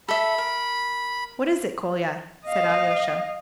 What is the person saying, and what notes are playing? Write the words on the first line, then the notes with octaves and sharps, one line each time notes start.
"What is it, Kolya?" said Alyosha.
A4 E5 B5
A#4
D#5 F5